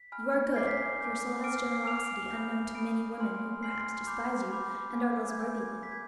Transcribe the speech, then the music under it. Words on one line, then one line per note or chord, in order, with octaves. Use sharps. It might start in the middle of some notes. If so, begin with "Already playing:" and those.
You are good, your soul has generosity unknown to many women who perhaps despise you, and are less worthy than you.
Already playing: B6
G#5 B5 F6
G#5 D6 G6 C7
B6
C7
G#5 D6 G6
G#5 D6 F6 D7
C7
C7
G#5 D6 F6 F7
B5 D#6 G6
B5 D#6 G6 D7
G#5 C6 F6
G#5 C6 F6 C7
B5 D6 G6
B5 D6 G6
G#5 D6 G6
G#6
G#5 D6 G6
G#6
G#5 D6 G6 B6
G#6